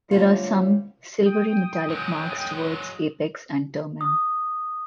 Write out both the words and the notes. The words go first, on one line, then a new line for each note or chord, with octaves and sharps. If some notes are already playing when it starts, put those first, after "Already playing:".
There are some silvery metallic marks towards apex and termen.
D3 G3 A3 C4 C#4 F4
G5 D#6
F#3 G#3
D#6